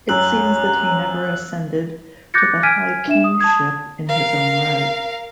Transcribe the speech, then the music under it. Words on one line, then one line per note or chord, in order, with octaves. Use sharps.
It seems that he never ascended to the high-kingship in his own right.
F#2 A#5 E6 F#6 F#7
D6 F#6 G6 A6 A#6 C#7
G#5 F6 G#6 B6 D7 D#7
D4 E5 E7
D#6
A5 D#6 G#6
A#4 F5